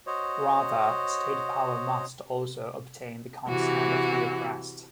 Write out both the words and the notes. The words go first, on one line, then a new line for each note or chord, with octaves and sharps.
Rather, state power must also obtain the consent of the oppressed.
F#4 C5 C#5 D#5
C3 E3 F#4